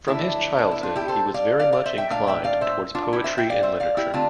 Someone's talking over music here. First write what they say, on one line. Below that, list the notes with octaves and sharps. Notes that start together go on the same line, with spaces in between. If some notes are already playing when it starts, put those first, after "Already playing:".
From his childhood he was very much inclined towards poetry and literature.
D3 A3 D4 E4
D4
E4
D4 F4
E4 G4
A4 C5
D5 F5
D5 F5
D5 F5
C5 E5
E5 G5
A#2 A3 D4 D5 F5
E5 G5
D5 F5
C5 E5
D4 F4
E4 G4
C5 E5
E5 G5
D5 F5
C5 E5
D5 F5
E4 G4
D3 A3 C4 D4 F4